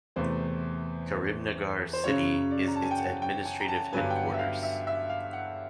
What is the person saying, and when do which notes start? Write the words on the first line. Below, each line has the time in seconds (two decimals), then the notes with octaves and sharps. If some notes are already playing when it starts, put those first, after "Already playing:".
Karimnagar city is its administrative headquarters.
0.16 E2 C3 E3 A3 C5
1.93 C5
2.04 F#2 C#3 F#3 C#5
2.51 D5
2.68 A#5
2.76 A5
2.83 G#5
2.91 G5
2.98 F#5
3.22 G5
3.45 G#5
3.60 A#5
3.68 A5
3.92 G2 D3 F#3 B3 G#5
4.10 G5
4.16 F#5
4.34 E5
4.39 F5
4.63 E5
4.87 E5
5.10 F5
5.33 F#5